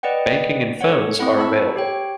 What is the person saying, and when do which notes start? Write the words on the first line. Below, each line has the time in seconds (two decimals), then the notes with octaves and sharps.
Banking and phones are available.
0.03 B4 D5 D#5 F#5 G5
0.81 A4 C#5 F#5
1.19 A3 C4 E4 F#5
1.37 A5 B5 C#6 E6
1.76 G4 C#5 G5